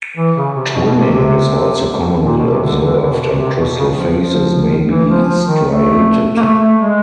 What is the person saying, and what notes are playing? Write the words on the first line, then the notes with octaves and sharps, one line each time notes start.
Twinning is also commonly observed and crystal faces may be striated.
E3
C#3
C3
B2
B2
C3
C3
A#2
B2
C3
D3
D3
D3
B2
C3
C3
B2
C#3
F3
F3
E3
F3
F3
D#3
A3
A#3
A3
A3
G#3